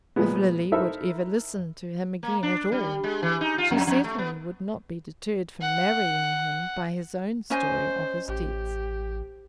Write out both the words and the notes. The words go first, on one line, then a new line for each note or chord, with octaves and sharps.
If Lily would ever listen to him again at all, she certainly would not be deterred from marrying him by his own story of his debts.
A#2 F3 G#3 B3
D#4 E4 A4 A#4 C5 E5
A#3
D4
G3
G#3
E3
D#4
F4
F2
F2
A3
B3
F#5
C#4 C5 D#5 G#5
A1 G4